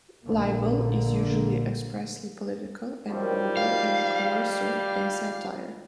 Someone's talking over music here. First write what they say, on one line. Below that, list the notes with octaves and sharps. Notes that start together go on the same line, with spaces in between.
Libel is usually expressly political, and balder and coarser than satire.
A#1 A#2 D3 A#3
F#2 D#3 F3 G3
G#2 F5